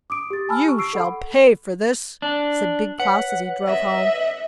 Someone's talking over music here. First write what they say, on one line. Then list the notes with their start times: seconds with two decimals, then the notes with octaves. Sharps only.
'You shall pay for this!' said Big Klaus as he drove home.
0.10 D6 D#6 D7
0.30 G4 A6
0.49 G#5 A5 B5 E6 F6
0.65 G4 C#6
0.78 C#6 E6 C7 D7
0.93 A4 F#5 B5
2.22 D4
3.00 B4 C#5 F#5
3.65 D#5 E5